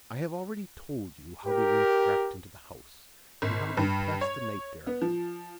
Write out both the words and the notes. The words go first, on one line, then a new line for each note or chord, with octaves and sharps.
I have already told you how they were entrapped into the house, and how they passed the night there.
G4 A#4
G#1
G2
C#5
B3
F3